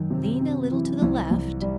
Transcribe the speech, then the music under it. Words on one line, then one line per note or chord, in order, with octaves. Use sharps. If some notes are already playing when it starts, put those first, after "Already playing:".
Lean a little to the left.
Already playing: F#2 D#3
C3
C4
E3
C2
C2
G3